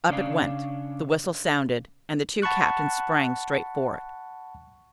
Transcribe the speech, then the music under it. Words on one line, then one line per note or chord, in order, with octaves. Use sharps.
Up it went, the whistle sounded and the two captains sprang straight for it.
C#3 C#4 D4 F5
F#5 A5 B5 C#6 F#6